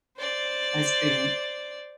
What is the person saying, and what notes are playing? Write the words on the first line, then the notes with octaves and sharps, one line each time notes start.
I see.
C5 D5